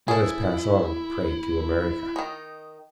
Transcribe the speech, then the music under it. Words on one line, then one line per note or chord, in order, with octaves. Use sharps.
"Let us pass on, pray, to America."
E4 G#4 A4
D#3 D#4